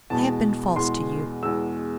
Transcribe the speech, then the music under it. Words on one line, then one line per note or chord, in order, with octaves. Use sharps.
I have been false to you.
E2 B2 G#3 A5
E2 B2 G#3 C6
E2 B2 G#3 E6